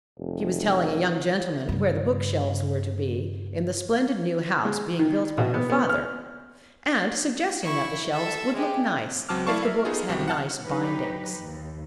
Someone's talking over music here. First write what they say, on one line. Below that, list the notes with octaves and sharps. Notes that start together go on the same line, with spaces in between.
She was telling a young gentleman where the book-shelves were to be in the splendid new house being built by her father, and suggesting that the shelves would look nice if the books had nice bindings.
F1
G2 C#3
G#3
D#3
B2
B3
B3
F6
E4 C#6
A4 E5
G#3 G4
C#2 F#3 C4 A5 D6 F6
A3 E4 D5 F5 A5 C#6
A#4 E5 F5
B3 D#4 F4 G#4 A4
B1 G3 C4 F#4
F#5 A5 F6
F#3 D#4 G4 B4
D#2